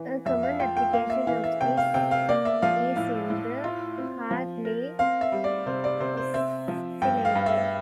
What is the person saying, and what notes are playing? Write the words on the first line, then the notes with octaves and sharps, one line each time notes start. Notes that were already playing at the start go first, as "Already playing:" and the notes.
A common application of this is in the Hartley oscillator.
Already playing: E3
F2 E5
F5
F4 G5
G5
A#3 F5
E5
E3 F5
E5
C3 G5
F5
C3 G5
F5
A#3 D5
E5
F3 F5
A2 F5
A2
F4
C4
F3
A#4
C4 F5
E5
G3
D5
C3 C5
D5
C3 C5
C5
C4 E5
F3
G2 G5
F5
G2
E5